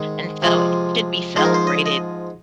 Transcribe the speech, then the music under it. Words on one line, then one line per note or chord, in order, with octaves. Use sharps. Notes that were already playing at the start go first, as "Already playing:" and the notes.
And so it should be celebrated
Already playing: G#2 D#3 G#3
C3 F3 G#3
G#2 F3 G#3 C5
A#4
C5
D#5
D#5